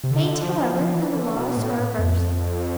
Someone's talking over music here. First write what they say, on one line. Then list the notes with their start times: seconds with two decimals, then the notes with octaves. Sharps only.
Fate, however, and the laws are averse.
0.04 C3
0.11 D3
0.43 F3
0.74 F3
0.94 E3
1.15 D3
1.36 B2
1.57 A2
1.99 F2